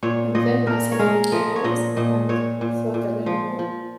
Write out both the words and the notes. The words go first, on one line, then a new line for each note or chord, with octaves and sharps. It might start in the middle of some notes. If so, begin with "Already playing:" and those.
And then I said my prayers and thought a little more.
A#2 C#5
A#2 D#5
A#2 A#4
C#5
G#3 A#4
F3 D#5
C#5
A#2 D#5
A#2 D#5
A#2 C#5
A#2
A#2
F3
F3